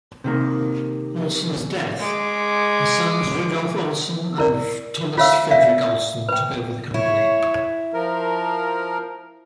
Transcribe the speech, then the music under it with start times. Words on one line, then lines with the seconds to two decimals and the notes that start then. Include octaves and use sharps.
Olsen's death, his sons Rudolf Olsen and Thomas Fredrik Olsen took over the company.
0.24 C3 D#3 A#3
1.99 G#3 D6
4.38 E4 A#4 D5
5.18 F4 C#5 E5 F5 E6
5.51 D5 E5 F5
6.29 B4 G5
6.94 E4 C#5
7.94 F3 A#4